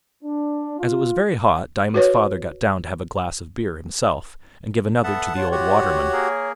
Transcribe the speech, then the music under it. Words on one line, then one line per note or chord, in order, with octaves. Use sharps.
As it was very hot, Diamond's father got down to have a glass of beer himself, and give another to the old waterman.
D4
F4
F#4 B4 C#5
B3 A4 E5 F#5 A5
F4 C#5
F#4 G4 F#5
A#3 G#4 A#4